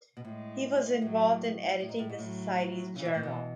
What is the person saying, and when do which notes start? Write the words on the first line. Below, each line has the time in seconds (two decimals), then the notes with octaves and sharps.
He was involved in editing the Society's journal.
0.17 B2
0.24 A2 G#3
1.02 A2 F#3
1.80 A2
1.89 G#2
1.99 A2
2.10 G#2
2.18 A2 F#3
2.96 C#3 E3
3.05 B2
3.15 A2
3.23 B2